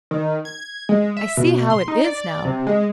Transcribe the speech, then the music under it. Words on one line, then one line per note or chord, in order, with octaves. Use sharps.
I see how it is now.
D#3
G#6
G#3
E5
B2
C6
D#4
D5
C3
G#3